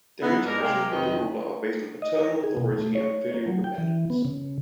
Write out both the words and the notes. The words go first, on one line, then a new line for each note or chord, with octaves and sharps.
Their interactions with the ruler are based on paternal authority and filial dependence.
B3 D#4 E4
G#2 B3 D4 D#4 A#4
C3 G#3 A#3 G4 A#4
F2 C3 D#3 G3 B4 D#5
D#5
A#4
G#4
B2
A3
C#5
A#3
F#3
G5
E3
B3
C#3